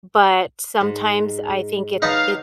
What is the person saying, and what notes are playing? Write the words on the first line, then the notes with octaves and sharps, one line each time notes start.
but sometimes I think it it
G#2
F#3 D#4 B4 F5 A5